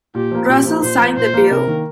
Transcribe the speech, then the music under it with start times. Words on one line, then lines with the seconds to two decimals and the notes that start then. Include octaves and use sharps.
Russell signed the bill.
0.15 A#2 G4
0.32 F3 A#3
0.49 A#2 G4
0.65 F3 A#3
0.83 A#2 C5
1.00 F3 A#3
1.16 A#2 C5
1.34 F3 A#3
1.50 C3 A#4
1.67 D#3 A#3